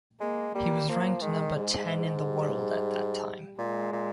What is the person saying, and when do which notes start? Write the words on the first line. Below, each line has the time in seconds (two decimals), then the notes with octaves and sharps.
He was ranked number ten in the world at that time.
0.21 G#3 A#3
0.55 G3 A#3
0.88 F3 A#3
1.22 D#3 G#3
1.56 G#2 G#3
2.24 G3
3.58 A#2 G#3
3.93 A#2